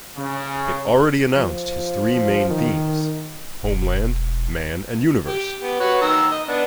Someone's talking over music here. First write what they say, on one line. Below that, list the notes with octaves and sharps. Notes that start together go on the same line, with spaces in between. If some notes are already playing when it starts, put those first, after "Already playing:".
It already announced his three main themes: Homeland, Man and Universe.
C#3
F3
D#3
E1
G4
B3 G4
F#4 B4 C#5
D#3 A#5 E6
D#5
B3 D4